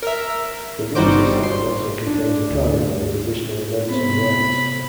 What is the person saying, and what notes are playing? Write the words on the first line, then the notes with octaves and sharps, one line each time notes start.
The Windsor side also contains a carnival with additional events and rides.
A#4 E5
G1 G3 D#4 F#4 C5 D6
C6
D4
D2
C3 B3 C5 B5